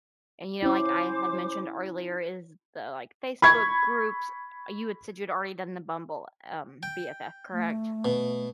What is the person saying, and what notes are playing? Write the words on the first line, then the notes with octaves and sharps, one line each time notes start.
And, you know, like I had mentioned earlier is the, like, Facebook groups, uh, you had said you'd already done the Bumble, um, BFF, correct?
C#4 E4 C5 D6
B5 C#6 G#6
G5
A3
B2